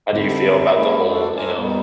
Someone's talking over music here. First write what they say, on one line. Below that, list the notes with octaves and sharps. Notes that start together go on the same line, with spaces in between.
how do you feel about the whole, you know,
D3 G3 C4 G4
G#3 A#3 C#4 E4
D4 F#4 A4 C5 D5
A4 A#4 C5 D5 E5 G#5
A#2 G3 B3 D#4